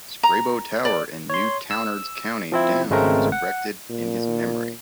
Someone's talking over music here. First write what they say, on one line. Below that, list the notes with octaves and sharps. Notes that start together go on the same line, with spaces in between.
Scrabo Tower in Newtownards, County Down was erected in his memory.
A#5
D5
C#5 C6
E6
F3 C4 E4
G#1 C#3 G#3 A3 C4 A#4
F#5
A#2